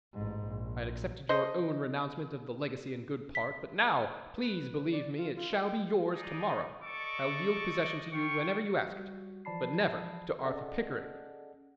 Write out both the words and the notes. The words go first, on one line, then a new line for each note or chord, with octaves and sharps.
I had accepted your own renouncement of the legacy in good part, but now, please believe me, it shall be yours to-morrow. I’ll yield possession to you whenever you ask it,—but never to Arthur Pickering!
A1 G#2
A#1
A4 C5 D#5
B6
B4
D5
F4
F4
G5
D#4 G#4 D5
A4 D5 D#5 C#6 D6
F4 G5 C#6
G3 F#4
E3 F3 D5 A5 B5 C7
C#4 G#4 A4 D5 D#5 F#5